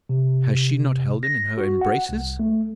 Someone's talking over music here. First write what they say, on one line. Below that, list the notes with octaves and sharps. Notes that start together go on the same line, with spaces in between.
Has she not held him in her embraces?
C3
A#6
F#4
F#5
C2
A3